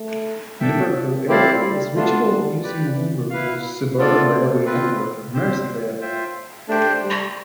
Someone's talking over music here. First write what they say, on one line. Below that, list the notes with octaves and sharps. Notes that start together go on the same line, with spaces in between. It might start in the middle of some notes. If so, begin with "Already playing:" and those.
Liverpool Airport is reachable using Liverpool's suburban railway network, Merseyrail.
Already playing: A3
D4 A4 E5 G5
A3 C4 E4 G4 D5 F5
G3
A3 B3 D4 F4
G3
G4 B4 D5
E3
E4 B4 F5
A3 B3 F4 A4 D5
C4 F4 B4
C4 G4 C5
F4 C5 E5 G5
A3 D4 G4 C5 G5
G3